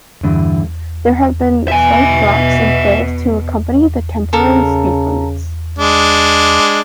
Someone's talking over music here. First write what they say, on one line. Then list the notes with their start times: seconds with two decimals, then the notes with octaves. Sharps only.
There have been slight drops in fares to accompany the temporary speed limits.
0.23 E2 G2 D3
1.68 B2 E5 G#5
4.33 C#3 A4 A#4
5.79 G#3 D4